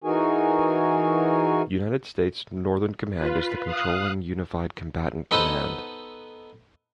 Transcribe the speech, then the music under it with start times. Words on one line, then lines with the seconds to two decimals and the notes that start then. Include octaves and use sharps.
United States Northern Command is the controlling Unified Combatant Command.
0.04 E3 D#4 F#4 G#4 A#4 G#5
3.16 F4 B4
3.64 F5 D#6 F#6
5.31 B3 D#4 A4 B4 C5 F#5